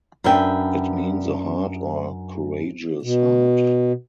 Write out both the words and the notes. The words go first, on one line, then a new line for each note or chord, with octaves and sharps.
It means a heart or courageous heart.
F#2 D4 B4 E5 G5
B2